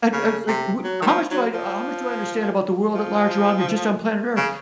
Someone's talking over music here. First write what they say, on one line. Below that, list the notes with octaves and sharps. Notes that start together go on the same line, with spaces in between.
I d I was like, what how much do I how much do I understand about the world at large around me just on planet Earth?
C#3
C3
F#3
D#3
F3
F#3
F3
F3
C#3